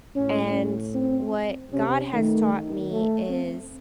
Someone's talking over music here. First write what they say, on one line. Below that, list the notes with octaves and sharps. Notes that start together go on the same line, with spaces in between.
and what God has taught me is
A2 C#4
C4
C3 C#4
D#3 A3
D#3
A3
C4